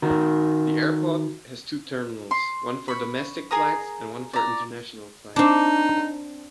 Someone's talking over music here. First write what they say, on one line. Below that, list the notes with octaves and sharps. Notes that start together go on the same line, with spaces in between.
The airport has two terminals, one for Domestic Flights and one for International Flights.
D#3 F#4 A#4
C6
B5 C#6
G#4 A#4 A#5 D#6
D5 A#5
C4 D4 D#4